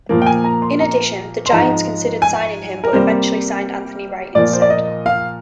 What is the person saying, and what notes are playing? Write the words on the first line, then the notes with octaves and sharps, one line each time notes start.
In addition, the Giants considered signing him but eventually signed Anthony Wright instead.
A#2 F3 A#3
G5
G#5
A#5
C6
A#5
C6
G#2 F3 G#3 A#5
G#5
A#4
C3 G3 A#3 C5
A#2 F3 A#3 D5
C5
D5
D#5
F5